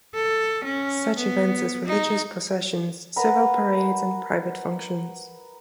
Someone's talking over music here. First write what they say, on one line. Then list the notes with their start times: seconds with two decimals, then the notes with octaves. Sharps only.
Such events as religious processions, civil parades, and private functions.
0.15 A4
0.64 C#4
1.18 B3
1.87 D#4
3.16 A#4 B4 D#5 F#5